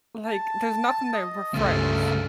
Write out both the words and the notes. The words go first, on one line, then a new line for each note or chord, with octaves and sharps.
like, "There's nothing there, we're friends."
A5
D#5
C#2 G2 C#3 A3 F4
F5